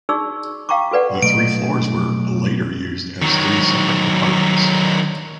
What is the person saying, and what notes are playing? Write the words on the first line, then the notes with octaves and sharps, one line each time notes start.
The three floors were later used as three separate apartments.
D#4 F#4 G#4 D5 C#6 E6
F5 G5 A#5 C#6 D6
F#4 A4 B4 D5 F#5
B1 A3 D#5 D7
D#3 F#3